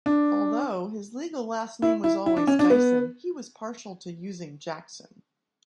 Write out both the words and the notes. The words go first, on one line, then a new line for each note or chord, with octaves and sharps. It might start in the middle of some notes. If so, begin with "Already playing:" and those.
Although, his legal last name was always Dyson, he was partial to using Jackson.
D4
E4
E4
E4
D4
C#4
D4
B3